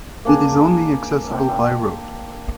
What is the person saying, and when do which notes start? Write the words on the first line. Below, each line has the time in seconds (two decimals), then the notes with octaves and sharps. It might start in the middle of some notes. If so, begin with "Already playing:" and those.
It is only accessible by road.
0.25 A#3 D4 G#4
1.33 G5